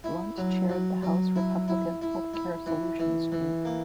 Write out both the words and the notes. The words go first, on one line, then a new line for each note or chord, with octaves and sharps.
Blunt chaired the House Republican Health Care Solutions Group.
E4
F#3
F#3
F#3
E4
E4
E4
E4
E3
E3
E3
A#3